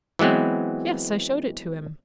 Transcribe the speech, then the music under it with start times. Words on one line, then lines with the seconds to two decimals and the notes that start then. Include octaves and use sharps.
"Yes; I showed it to him."
0.19 E3 F#3 G#3 B3 C4